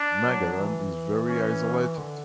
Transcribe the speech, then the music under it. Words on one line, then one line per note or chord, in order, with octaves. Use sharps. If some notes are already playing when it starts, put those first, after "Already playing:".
Magadan is very isolated.
Already playing: D4
F#3
E3
C#4
D3